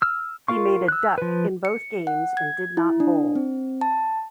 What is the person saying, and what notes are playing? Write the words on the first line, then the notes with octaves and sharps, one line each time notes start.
He made a duck in both games and did not bowl.
E6 F6
F4 A#4 F5 C#6
E6 F#6
F3 B4
C#7
F#5
G#6
E4
D4
C4
A5